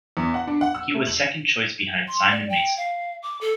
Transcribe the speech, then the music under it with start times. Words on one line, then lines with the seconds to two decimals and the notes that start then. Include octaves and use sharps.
He was second choice behind Simon Mason.
0.17 E2
0.34 F#5
0.47 D4
0.61 F#5
0.75 E6
0.94 A3
1.07 F#7
2.08 C6
2.31 D5
2.50 G5
2.77 F5
3.23 D6
3.41 A4